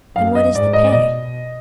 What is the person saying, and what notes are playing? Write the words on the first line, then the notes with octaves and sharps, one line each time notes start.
"And what is the pay?"
F#2 F5
D#5
G#2 D5
D#5
D5
B2 D#5